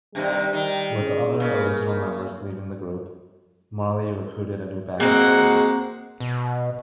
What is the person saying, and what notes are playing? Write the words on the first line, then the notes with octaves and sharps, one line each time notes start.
With the other original members leaving the group, Marley recruited a new backing band.
G2 C3 D#3 G3
D#3
C#3
C#3 A#3
G#3 A#3 C4 F#4 F#5
B2